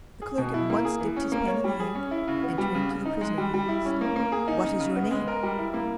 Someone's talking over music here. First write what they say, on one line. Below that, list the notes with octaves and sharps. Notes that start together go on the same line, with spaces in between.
The clerk at once dipped his pen in the ink, and turning to the prisoner he asked: "What is your name?"
G#4
B2
E4
A#3
G#4
E3
C#4
A#3
C#5
G3
G#4
C#4
E4
C#3
B3
G3
C#3
C#3
D#4
G#3
G3
G3
E4
C#4
A#3
A#3
G#4
D#4
C#3
C#3
B3
G#3
A#4
G3
E4
A#3